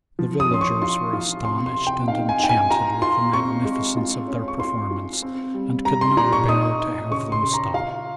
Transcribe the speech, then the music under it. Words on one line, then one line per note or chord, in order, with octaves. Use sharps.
The villagers were astonished and enchanted with the magnificence of their performance, and could not bear to have them stop.
F3
D#6
C#4 C6
C#6
F4 C6
F4
C3 C6
C6
C3
G5
D#4 F5
G#5
D#4 G5
G#5
F4 A#5
F4 C6
C4 C#6
G#3
F4
C#4
C#6
F4 C6
F4
C4
G3
G3 A#5
C6
A#2 A#5
C#6
D#4 D#6
D#4
C#3 C#6
C6
C#3
A#5
F4 F5